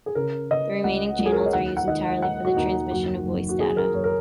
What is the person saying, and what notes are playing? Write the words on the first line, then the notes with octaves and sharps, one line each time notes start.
The remaining channels are used entirely for the transmission of voice data.
G#4
C#3 A#4
C#3 D#5
C#2 F#5
C#2
G#4
A#4
C#5
D#5
D#2 F#5
F#5
D#3 D#5
D#3 F#5
F#4
D#2 D#4
F#1 F#4
F#1
F#4
F#2 G#4
A#4
F#1 C#5
A#4